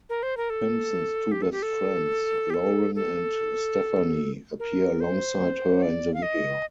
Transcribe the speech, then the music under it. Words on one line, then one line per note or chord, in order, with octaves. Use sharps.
Simpson's two best friends, Lauren and Stephanie, appear alongside her in the video.
A#4
C5
A#4
A4
G4
A4
G4
A4
G4
A4
A4
A#4
C5
D5
F5
D#5